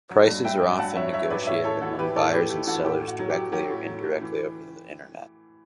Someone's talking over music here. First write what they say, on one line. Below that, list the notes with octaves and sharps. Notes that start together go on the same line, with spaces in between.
Prices are often negotiated among buyers and sellers directly or indirectly over the Internet.
F#3
G2
G2 E5 G5
F#3
G2 F#5 A5
F#3 C#5 E5
F#3 C#5 E5
F#3 B4 D5
A2 C#5 E5
A2 A4 C#5
E3 F#4 A4
E3 G4 B4
A2 A4 C#5
A2 G4 B4
A2 G4
E3 F#4 A4
A2 G4
A2
F#4
F#3
G4
F#3
F#3 G4
A2
F#3
A2
E3